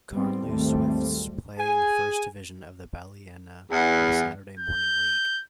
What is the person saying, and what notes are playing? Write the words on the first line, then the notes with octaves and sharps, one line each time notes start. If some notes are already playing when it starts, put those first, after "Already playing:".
Carnlough Swifts play in the first division of the Ballymena Saturday Morning League.
G3 B3 C4
G#1 D#2 G3 A3 C4
G#4 G#5
E2
G6